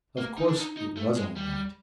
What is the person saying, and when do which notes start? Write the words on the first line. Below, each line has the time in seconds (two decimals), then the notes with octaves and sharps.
Of course it was all right.
0.18 A#3
0.38 D#4
0.48 D4
0.57 D#4
0.77 D#4
0.97 A3
1.16 G#3
1.36 G3